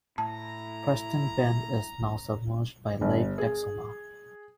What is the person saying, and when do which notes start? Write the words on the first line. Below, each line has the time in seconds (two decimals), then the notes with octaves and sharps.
Preston Bend is now submerged by Lake Texoma.
0.18 A2 E4 A5 A#5
3.01 G1
3.38 G#4